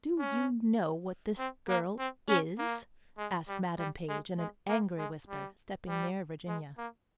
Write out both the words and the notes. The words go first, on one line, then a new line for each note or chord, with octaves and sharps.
"Do you know what this girl is?" asked Madam Page, in an angry whisper, stepping near Virginia.
C#4
C4
A#3
C4
C#4
A#3
G#3
G3
G3
G#3
G#3
A#3
G#3
G3
G3
G#3
A#3